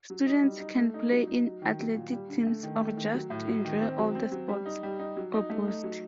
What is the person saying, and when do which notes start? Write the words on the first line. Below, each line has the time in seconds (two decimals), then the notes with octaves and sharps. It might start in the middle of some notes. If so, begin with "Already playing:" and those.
Students can play in athletic teams, or just enjoy all the sports proposed.
0.10 F#3
0.27 D#4
0.43 G3
0.60 D#4
0.77 A3
0.94 D#4
1.12 F#3
1.27 D#4
1.45 F#3
1.62 D#3
1.79 F#3
1.95 A#2
2.12 G3
2.29 D3
2.47 A3
2.63 D#3
2.80 A3
2.97 D#3
3.13 F#3
3.30 A2
3.48 F#3
3.65 D#3
3.81 C4
3.98 F#3
4.15 C4
4.31 F#3
4.49 G3
4.66 D#4
4.83 G3
4.99 D#4
5.16 F#3
5.33 D#4
5.50 A3
5.68 D#4
5.83 F#3